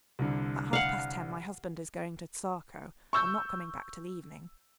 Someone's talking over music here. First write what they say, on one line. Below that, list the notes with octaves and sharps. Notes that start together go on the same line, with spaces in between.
At half-past ten my husband is going to Tsarskoe and not coming back till evening.
C2 D3
F5 F#5
C#6 E6 G6